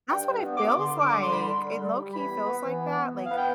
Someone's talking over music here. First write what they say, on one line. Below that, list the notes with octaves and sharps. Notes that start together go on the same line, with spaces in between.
That's what it feels like; it low key feels like that, like,
G2 G5
G2
B3
D6
G2
D3 C6
D3
D6
G3
C6
D3 B5
D3 C6
G3
G3
G3
E3 B5
B3
B3
E3
B3
B3
E3
F5
B3
G5